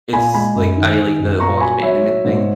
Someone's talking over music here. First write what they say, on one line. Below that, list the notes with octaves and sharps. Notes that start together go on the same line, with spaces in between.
it's like, I like the whole abandonment thing.
A#2 G#5 B5
G#3 G#5 B5
F#2
D#3
D#3
F#2
A#2 A#5 C#6
C#6
F#3 G#5 B5
F#3 C#5 E5
F#3
G#2